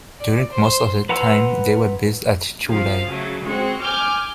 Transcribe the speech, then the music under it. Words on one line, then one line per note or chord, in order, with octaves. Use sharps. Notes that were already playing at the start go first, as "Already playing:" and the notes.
During most of their time they were based at Chu Lai.
D5
C5
B4 F#5 A#5 C6 E6
C3 F3 F5
C#3 F#3 A3
G#3 C4 F#4
G#5 D6 F6 G6